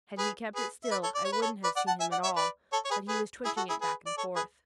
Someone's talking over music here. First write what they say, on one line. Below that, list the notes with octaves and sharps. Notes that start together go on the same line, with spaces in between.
Had he kept it still I wouldn't have seen him at all; but he was twitching it back and forth.
G#4 B4
G#4 B4
E5
B4 D5
A4 C#5
D5
C#5
B4
A4 C#5
B4 D5
D5 F#5
F#5 A5
E5 G#5
D5 F#5
C#5 E5
B4 D5
A4 C#5
C#5
G#4 B4
G#4 B4
E4 G#4
F#4 A4
E4 G#4
G#4 B4
D5
A4 C#5
G#4 B4